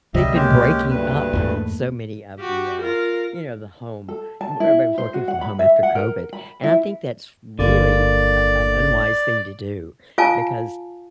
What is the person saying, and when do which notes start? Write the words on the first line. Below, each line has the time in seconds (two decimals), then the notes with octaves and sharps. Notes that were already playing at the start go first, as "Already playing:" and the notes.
They've been breaking up so many of the, uh, you know, the home w everybody was working from home after COVID, and I think that's really a an unwise thing to do because
0.14 C#2 C3 F#3 G3 D#5 E5
0.34 G#3 A#3 C#4 G4
0.91 D2 G2 B4
1.33 E2 G#2 A3
2.39 F#4 G4
2.81 F4 A#4
4.09 A4
4.41 A5
4.60 E4
4.98 C5
5.14 F#4
5.28 F#5
5.41 B5
5.59 E5
5.83 F#5
5.95 A#4
6.33 B5
6.63 E4
7.59 G1 D3 A#3 D5
10.18 F4 F5 G#5 A5